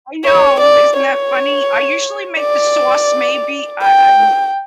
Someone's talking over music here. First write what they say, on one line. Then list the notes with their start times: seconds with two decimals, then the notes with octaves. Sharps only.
I know, isn't that funny? I usually make the sauce, maybe I I'm
0.25 C#5
0.61 D5
0.97 C#5
2.39 D5
3.82 G5